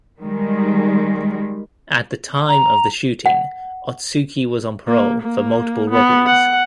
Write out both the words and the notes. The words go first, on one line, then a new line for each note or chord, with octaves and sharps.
At the time of the shooting Otsuki was on parole for multiple robberies.
D#3 G3 G#3
A#5
F#5
A#3
A#3
B3
F#5